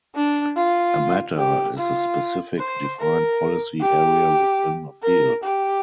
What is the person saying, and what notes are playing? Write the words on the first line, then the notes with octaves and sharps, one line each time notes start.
A Matter is a specific defined policy area within a Field.
D4
F4
G4
F4
C5
A#4
G4
A#4
G4